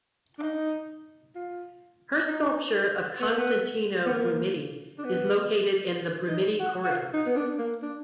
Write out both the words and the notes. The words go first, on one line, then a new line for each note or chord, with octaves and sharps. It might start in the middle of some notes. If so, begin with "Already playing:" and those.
Her sculpture of Constantino Brumidi is located in the Brumidi Corridors.
D4
D#4
F4
D#4
B3
A#3
B3
B3
A#3
D4
B3
D#4
F#4
F#4
F4
D#4
B3
D4
A#3
D4